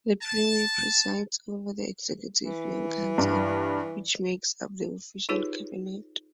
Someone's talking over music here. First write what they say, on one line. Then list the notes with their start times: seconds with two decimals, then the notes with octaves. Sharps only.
The premier presides over the Executive Yuan Council, which makes up the official cabinet.
0.22 A5
2.43 E3
3.18 G2
5.29 D#4 F4 G4 G#4 B4 C#5